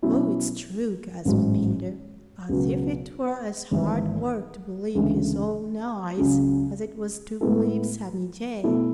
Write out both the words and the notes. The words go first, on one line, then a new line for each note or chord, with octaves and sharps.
"Oh, it's true!" gasped Peter, as if it were as hard work to believe his own eyes as it was to believe Sammy Jay.
B2 F#3 C#4 E4
A1 G#2 F#3
C#2 B2 F#3 B3 F#4
G#1 G#2 E3
D2 C#3 E3 G#3
C#2 C#3 F#3
A2 G#3 B3 E4 A4
B2 A3 E4 A4